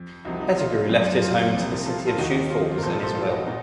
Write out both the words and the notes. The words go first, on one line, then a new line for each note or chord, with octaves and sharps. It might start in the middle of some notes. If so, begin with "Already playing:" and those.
Pettigrew left his home to the city of Sioux Falls in his will.
Already playing: F2
C2 C3 F3 D#4 F#4
D#4 F#4
F4
F#2 F3
F4
C2 C3 F3
A#4
F4 A4
F4 A4
D#2 D#3 D#4 F#4
D#4
F4
D#4
F4
A#4
C2 A#2 F3 A4 C5
F4 A4
A4 C5
F4 A4
D#4 F#4
A#2 D#4 F#4